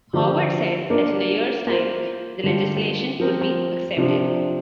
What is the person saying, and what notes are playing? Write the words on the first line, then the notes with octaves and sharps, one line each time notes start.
Howard said that in a year's time the legislation would be accepted.
D3 F3 D4 G4 D5
A#3 D4 F4 A#4 D5
A#3 F4 C5
D3 G3 D4 F4
F3 C4 A#4
C3 F3 D4